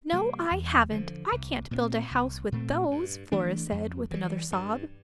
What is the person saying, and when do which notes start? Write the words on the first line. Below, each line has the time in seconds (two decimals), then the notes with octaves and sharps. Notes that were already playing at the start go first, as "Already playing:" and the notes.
"No, I haven't; I can't build a house with those," Flora said, with another sob.
0.12 C3 G3 A#3
0.51 E2
0.91 D3 F3
1.32 C2
1.71 A#2 G3 C4
2.11 C2
2.52 A#2 A3 C4
2.91 G2
3.32 E3 A3 D4
3.72 F2
4.11 E3 G3
4.52 G2